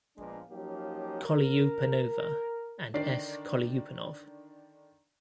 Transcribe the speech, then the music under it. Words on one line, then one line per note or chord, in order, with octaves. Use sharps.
Kolyupanova, and S. Kolyupanov.
A#2 F3 G#3 B3 D4
F3 F#3 A#3 C#4 D#4 G4
A#4
D3 D#3 D4 D5 C7